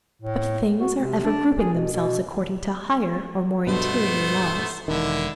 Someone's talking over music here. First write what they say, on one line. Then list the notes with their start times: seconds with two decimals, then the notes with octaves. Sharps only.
But things are ever grouping themselves according to higher or more interior laws.
0.22 A2
0.80 F#4
0.98 C3
1.24 D4
1.58 G#4
1.74 B2
1.92 B2
3.67 G2 B2 A3 B3 C5
4.88 E1 D3 D#3 E4